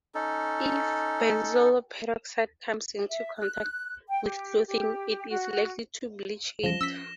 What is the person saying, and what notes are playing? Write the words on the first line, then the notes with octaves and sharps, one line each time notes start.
If benzoyl peroxide comes into contact with clothing it is likely to bleach it.
C#4 D#4 A4
E5
F#6
G5
G4
G4
F#4
E3 F3 G3 C#4 A#6 E7 G7
C#4 E6 B6